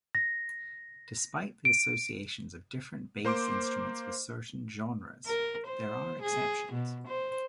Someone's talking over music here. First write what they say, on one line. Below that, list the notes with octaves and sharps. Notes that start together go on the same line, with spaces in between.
Despite the associations of different bass instruments with certain genres, there are exceptions.
A#6
D7
A#3 C5 C6 D6 D7
A#4
C5
G#4
B2
C5